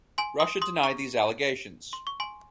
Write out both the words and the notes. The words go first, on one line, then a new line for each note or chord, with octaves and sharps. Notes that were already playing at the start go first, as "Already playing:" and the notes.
Russia denied these allegations.
G#5 C6
C6 D#6
C6 D#6
A#5 C#6
C6
C#6
G#5 C6